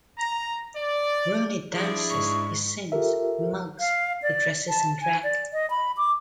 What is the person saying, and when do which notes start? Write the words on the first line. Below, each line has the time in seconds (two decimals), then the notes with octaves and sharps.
Rooney dances, he sings, he mugs, he dresses in drag.
0.19 A#5
0.75 D5
1.74 F3 D4 E4 G#4 D5
2.10 G#2 C#6
2.92 F4 G4 A4 A#4 E5
3.79 F5
4.22 D5
4.69 A5
5.02 G#5
5.24 D5
5.53 D#5
5.70 B5
5.97 D6